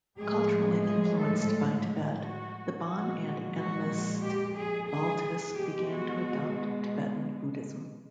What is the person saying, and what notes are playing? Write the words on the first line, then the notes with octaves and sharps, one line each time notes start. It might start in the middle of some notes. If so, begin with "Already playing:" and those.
Culturally influenced by Tibet, the Bon and animist Baltis began to adopt Tibetan Buddhism.
A2 F3 G#3 G#4
G#4
A4
F#4
A#2 F3 G#3 F#4
F#4
G4
G#4
G#4
B2 G#3 G4
F#4